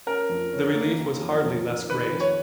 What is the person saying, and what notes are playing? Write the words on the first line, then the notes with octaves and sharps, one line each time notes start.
The relief was hardly less great.
C#4 A#4
F2
C#4
A#3
D#3
F2
F2
D#3
D#3 B4
F2
C#5